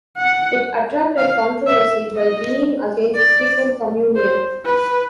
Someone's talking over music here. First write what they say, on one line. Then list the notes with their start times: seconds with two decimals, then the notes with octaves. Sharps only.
It attracted controversy by being against frequent communion.
0.17 F#5
1.17 F5
1.67 E5
2.16 D#5
3.15 D5
4.15 C5
4.65 B4